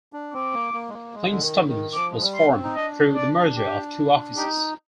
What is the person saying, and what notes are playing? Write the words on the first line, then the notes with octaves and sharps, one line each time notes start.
KlingStubbins was formed through the merger of two offices.
D4
C4 D6
A#3
A#3
G#3
A#3
G#3
D3
D#3
D#3
F3 D6
G#3
G3
C6
C4
D#4
D4 D#5
D5
G4
D#4 G4